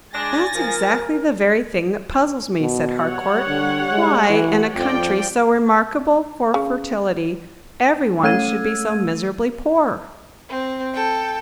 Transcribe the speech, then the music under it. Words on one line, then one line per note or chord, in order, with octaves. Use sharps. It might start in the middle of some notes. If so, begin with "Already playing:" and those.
"That's exactly the very thing that puzzles me," said Harcourt, "why, in a country so remarkable for fertility, every one should be so miserably poor!"
G#3 D4 G#5 A6 A#6
F3 A#4
B2
G3 C#5 F#5
D3
G#3
E3
F2 F3 D5 G5
C#3
A3 A4 E6 G#6 D#7
C4
A4 G5